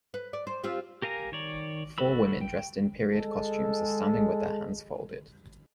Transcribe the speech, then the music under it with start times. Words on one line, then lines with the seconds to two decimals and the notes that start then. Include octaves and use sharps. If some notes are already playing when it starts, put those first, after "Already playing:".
Four women dressed in period costumes are standing with their hands folded.
0.14 B4
0.33 D5
0.47 C5
0.64 C4 F4 G4
1.02 G4 A#4 F5 G#5 A#5
1.32 D#3 C#5 D5
1.98 F#4 A4 B4 B5 E6
2.41 G5
3.12 G#3 A4